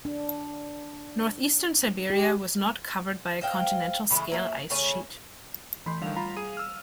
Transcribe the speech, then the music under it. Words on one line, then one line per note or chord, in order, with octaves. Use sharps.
Northeastern Siberia was not covered by a continental-scale ice sheet.
D4
G4
C5 D#5 F5 G5
C#3 E3 G#3 A3
F#3 A#3 E5
C#3 A3 C#5 G#5
E3 A3 B5 C6 G6
D3 D#3 G3 F5 F7
F4 A#5 B5
G#4 D#7
E6 F6